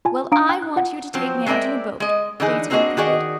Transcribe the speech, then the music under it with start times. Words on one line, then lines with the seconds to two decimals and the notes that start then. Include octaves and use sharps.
"Well, I want you to take me out in a boat!" Daisy repeated.
0.05 F4 G#5 A5
0.32 D4 F5 A#5 D#6 D7
0.49 G5 F#6
0.62 F#6
0.76 F4 F#5
1.14 F3 F#3 C4
1.46 G#3 C4 A#4 D5 E5
2.00 G#3 D#5
2.40 D3 E3 D#4 G#4
2.70 A#3 C4 D4 F#4 G#4 D#5
2.97 D#3 F#4 G#4 D5 D#5